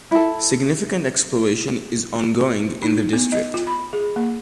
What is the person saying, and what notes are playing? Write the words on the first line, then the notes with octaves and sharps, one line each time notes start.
Significant exploration is ongoing in the district.
E4 A4
D#4
B3
D#5
F4
B5
G#4
A#3